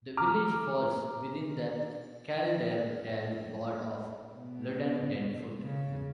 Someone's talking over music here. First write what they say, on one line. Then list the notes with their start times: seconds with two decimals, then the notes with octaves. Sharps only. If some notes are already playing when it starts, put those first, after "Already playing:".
The village falls within the Calderdale Ward of Luddendenfoot.
0.17 A#5 D6 F6
4.33 B2
5.62 C#3